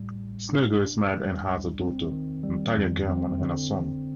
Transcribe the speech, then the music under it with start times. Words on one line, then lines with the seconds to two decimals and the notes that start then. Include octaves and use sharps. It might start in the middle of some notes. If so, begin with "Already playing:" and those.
Snegur is married and has a daughter, Natalia Gherman, and a son.
Already playing: A2 G3
0.16 A1
0.49 D4
0.81 A#2
1.14 G3
1.46 C2
1.79 C4
2.12 D#3
2.43 G3
2.76 F2
3.09 C4
3.41 D3